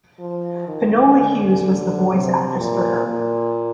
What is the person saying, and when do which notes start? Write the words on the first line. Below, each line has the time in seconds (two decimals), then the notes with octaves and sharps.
Finola Hughes was the voice actress for her.
0.20 F3
0.68 D#3
1.17 D3
2.11 C3
2.59 A#2
3.08 A#2